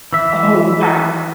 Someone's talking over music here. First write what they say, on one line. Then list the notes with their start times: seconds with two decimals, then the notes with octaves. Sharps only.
Oh, wow.
0.13 E3 E5